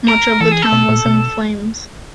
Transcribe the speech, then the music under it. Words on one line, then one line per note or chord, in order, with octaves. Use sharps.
Much of the town was in flames.
A#4
E3 A4
G#4
A4
B2
A#2
B2